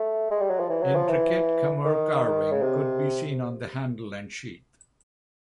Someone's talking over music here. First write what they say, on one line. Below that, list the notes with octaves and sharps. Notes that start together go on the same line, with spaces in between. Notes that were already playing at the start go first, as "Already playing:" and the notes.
Intricate Khmer carving could be seen on the handle and sheath.
Already playing: A3
G#3
G3
F#3
F3
E3
F#3
F3
E3
D#3
C#3
C3